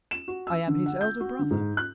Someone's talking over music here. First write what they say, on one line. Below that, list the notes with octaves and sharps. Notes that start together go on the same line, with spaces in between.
"I am his elder brother."
E7
F#4
E6
D3
F#5
G6
F#4
D3
G#2
F#6